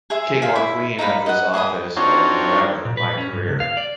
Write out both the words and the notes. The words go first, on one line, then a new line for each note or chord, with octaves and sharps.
king or queen of this office or, whatever, my career."
G#4 E5 C6
G#4 C5 E5 F5
E4 E5
D#4 E5 F5 B5
D#5 F#5
G#4 D#5 B5 D#6
C4 D4 D#4 F4 F#4 C#5
A#2
B4
C#4
G2
C#2
F5
D5